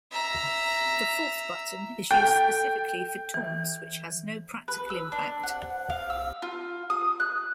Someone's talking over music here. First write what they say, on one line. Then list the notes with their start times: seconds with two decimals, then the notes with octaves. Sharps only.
The fourth button is used specifically for taunts which has no practical impact.
0.12 E5 A#5
2.11 A4 G5
3.34 E3
4.68 B4
4.90 E6
5.12 D4
5.43 F#5
5.90 F5
6.10 E6
6.42 F4
6.90 D#6
7.20 F#6